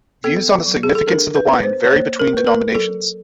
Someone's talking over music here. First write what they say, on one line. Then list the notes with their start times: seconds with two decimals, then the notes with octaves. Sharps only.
Views on the significance of the wine vary between denominations.
0.24 B3 A4
0.66 F#3
0.83 G#4
0.95 A4
1.07 D4 A#4
1.36 B4
1.49 B3
1.55 B4
1.63 C5
1.84 C#5
1.91 A#3 C5
2.19 A#4
2.33 A#3 B4
2.47 A#4
2.74 F#3 A4